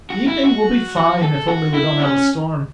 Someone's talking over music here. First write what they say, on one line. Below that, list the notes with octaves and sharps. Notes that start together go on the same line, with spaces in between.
The evening will be fine, if only we don't have a storm.
F#4
E4
F#4
F#4
A4
F#4
E4
C#4